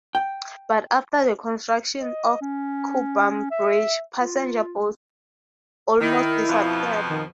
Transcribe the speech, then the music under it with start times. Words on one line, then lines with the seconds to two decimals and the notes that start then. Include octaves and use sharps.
But after the construction of Kuppam Bridge, passenger boats almost disappeared.
0.15 G5
1.98 D#5
2.41 C#4
3.51 E5
4.19 F4
6.01 D#3 E4
6.48 F2 B2 F3
7.08 D#3